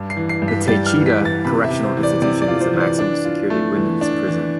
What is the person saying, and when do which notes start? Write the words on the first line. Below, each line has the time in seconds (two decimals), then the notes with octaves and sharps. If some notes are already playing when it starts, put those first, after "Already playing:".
The Taycheedah Correctional Institution is a maximum security women's prison.
Already playing: G2
0.10 C7
0.17 E3
0.29 C7
0.42 G2
0.48 B6
0.68 G3 A6
0.86 F6
0.93 E3
1.06 B6
1.19 E3
1.25 A6
1.45 C3 B5
1.64 E5
1.71 C3
1.83 C5
1.97 E3
2.03 D5
2.22 C3 D5
2.42 D5
2.48 F4
2.61 C5
2.74 E3 C5
2.80 D5
2.99 D4
3.25 F4
3.50 A3
3.76 E3
4.01 D4
4.28 E3